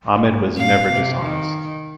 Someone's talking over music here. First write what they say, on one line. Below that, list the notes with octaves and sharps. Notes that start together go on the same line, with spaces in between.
Ahmed was never dishonest.
G#2
A#2 F5
C3
D#3